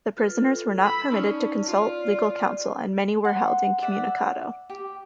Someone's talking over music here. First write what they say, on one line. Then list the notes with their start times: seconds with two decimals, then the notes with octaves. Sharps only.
The prisoners were not permitted to consult legal counsel, and many were held incommunicado.
0.17 F4 A4 B4
0.81 B5 E6
1.11 C#4 D#4 D5 A5
1.66 F4 C#5 D5
2.08 D5
3.25 F#5 C6
3.82 D5 E5 F#5
4.70 G4